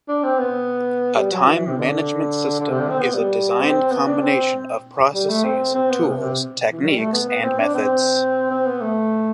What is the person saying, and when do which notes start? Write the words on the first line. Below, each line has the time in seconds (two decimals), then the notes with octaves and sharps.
A time management system is a designed combination of processes, tools, techniques, and methods.
0.08 D4
0.23 C4
0.38 B3
1.15 G3
1.31 F#3
1.46 E3
1.67 C3
1.77 D3
2.60 D3
2.69 C3
2.79 D3
2.90 C4
2.99 B3
3.14 G3
3.61 C4
3.91 B3
4.06 D4
4.22 C4
5.14 G3
5.29 A3
5.44 C4
5.75 C4
5.90 B3
6.06 C3
6.21 C3
6.72 E3
6.81 F#3
6.89 G3
6.98 A3
7.13 B3
7.29 B3
7.43 C4
7.58 D4
7.74 C4
8.51 C4
8.66 B3
8.81 A3